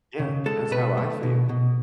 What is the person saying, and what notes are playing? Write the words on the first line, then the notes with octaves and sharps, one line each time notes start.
Yeah. That's how I feel.
C#3
G#3 A4
B2 B4
A3
B2
B2